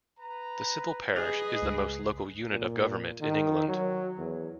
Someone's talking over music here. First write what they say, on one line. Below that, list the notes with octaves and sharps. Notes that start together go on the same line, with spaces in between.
The civil parish is the most local unit of government in England.
B4 A#5
G#4 B4 D#5
C#2
A#2
D#3
F#3
E2